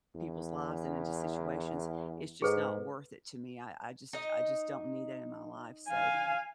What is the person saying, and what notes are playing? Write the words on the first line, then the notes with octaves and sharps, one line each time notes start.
people's lives and into situations, is just not worth it to me. I I just I just don't need that in my life, so,
E2
G#2 G#4 A4 B4
D#4 D#5
F5 G#5